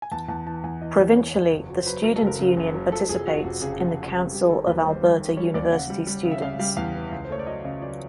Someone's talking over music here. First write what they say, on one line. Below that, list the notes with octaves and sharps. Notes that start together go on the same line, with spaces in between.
Provincially, the Students' Union participates in the Council of Alberta University Students.
G#5
E2 A5
E2 A5
E3 A5
E2 G#5
E3 D#5
E2 D5
E3 C#5
E2
F#1
F#3
C5
F#3 B4
F#3 A#4
A4
F#1
A#4
C#3
F#1
F#3
F3 A4
F1 G#4
F3 F#4
F1
C#3 G#4
C#3
F2
C#3
G3 G4
G#4
D#3 A4
A#4
D#2 B4
C5
G3
C5
G3
D#3
G3 C#5
D#2 D5
C#3 F#5
G3
G3
C#3
E5
C#3 F5
G3 F5
E2 F5
E3
C#2
C5
A3 C#5
D5
F#3 D#5
C#3 D#5
F#3 D5